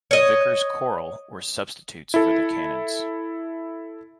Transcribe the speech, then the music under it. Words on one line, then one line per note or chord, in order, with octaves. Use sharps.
The vicars choral were substitutes for the canons.
C#5 D#5
E4 A4